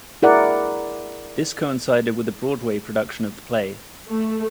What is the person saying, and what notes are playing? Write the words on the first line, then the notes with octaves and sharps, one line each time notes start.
This coincided with a Broadway production of the play.
E4 G#4 A#4 D5 F#5
A3